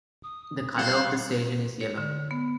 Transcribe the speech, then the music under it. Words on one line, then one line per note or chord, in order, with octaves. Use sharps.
The color of the station is yellow.
D#6
G3 C4 C5 F5 F#5
C#5
D3
B3